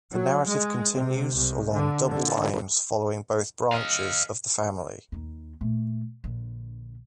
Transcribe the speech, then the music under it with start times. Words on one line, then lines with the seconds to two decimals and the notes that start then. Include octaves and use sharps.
The narrative continues along double lines, following both "branches" of the family.
0.11 F#3
0.47 G#3
0.93 C3
1.35 C2
1.72 D3
2.07 D3
3.73 D#5 F5
5.12 D#2 D#4
5.61 A#2 A3
6.24 A#1 D3